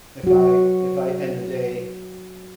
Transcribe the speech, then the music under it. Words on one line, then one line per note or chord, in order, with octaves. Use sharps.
if I if I end the day
F#3 F#4